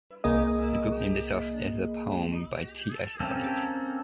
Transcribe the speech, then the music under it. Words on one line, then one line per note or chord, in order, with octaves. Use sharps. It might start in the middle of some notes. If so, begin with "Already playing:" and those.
The group named itself after the poem by T. S. Eliot.
C2 A#3 G#4 D#5
A#3 C4 C#4 A4